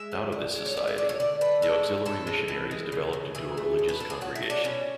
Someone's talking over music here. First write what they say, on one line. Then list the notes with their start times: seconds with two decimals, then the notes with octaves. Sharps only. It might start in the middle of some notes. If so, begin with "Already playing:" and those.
Out of this society, the auxiliary missionaries developed into a religious congregation.
Already playing: G#3 E5
0.12 D3
0.32 D3
0.55 G#3
0.66 C#5
0.77 A3 D5
0.87 E5
0.98 D3 D5
1.09 C#5
1.20 D3 D5
1.41 A3 B4
1.62 G#3 A4
1.84 A2
2.06 A2 A4
2.27 G#3
2.48 E3
2.71 G#3
2.92 C#3
3.13 C#3
3.35 E3 G#4
3.57 A3
3.79 A2
3.89 B4
4.00 A2 A4
4.10 G#4
4.21 F#3 F#4
4.35 E4
4.43 A3
4.50 D4
4.64 B2 C#4